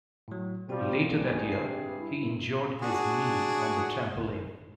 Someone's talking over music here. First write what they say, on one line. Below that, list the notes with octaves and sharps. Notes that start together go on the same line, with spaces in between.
Later that year, he injured his knee on the trampoline.
A2 F#3
B1 B2 F3 G3 C4 F#4
B1 G2 C3 G3 A#3 G4 G#4
C7
E4
D4 F#4 G#4